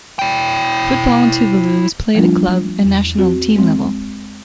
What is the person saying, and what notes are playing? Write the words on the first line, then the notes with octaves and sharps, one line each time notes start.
Football in Tuvalu is played at club and national team level.
E4 G5
F3 G3 A3 D4 F4
E2
C4 F#4
G#3 C4